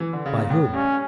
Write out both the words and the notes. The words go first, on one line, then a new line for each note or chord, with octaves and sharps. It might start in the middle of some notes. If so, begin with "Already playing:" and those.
"By whom?"
E3
D3
C#3
A#2
A2
G2 C#4